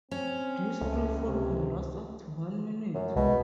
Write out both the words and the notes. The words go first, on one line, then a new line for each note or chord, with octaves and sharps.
This freefall can last up to one minute.
C4 C#4
C#2 A3
C3
F#2
C2 B2 G#3